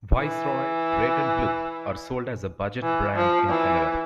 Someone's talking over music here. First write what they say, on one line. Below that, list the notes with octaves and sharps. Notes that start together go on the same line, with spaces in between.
Viceroy Red and Blue are sold as a budget brand in Canada.
E3
E3
F3
E3